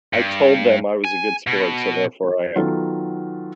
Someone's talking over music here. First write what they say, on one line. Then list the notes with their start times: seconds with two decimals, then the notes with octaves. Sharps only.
I told them I was a good sport, so therefore I am,
0.13 G2
1.05 G#5
1.47 B2
2.56 D#3 F#3 B3 F4 A4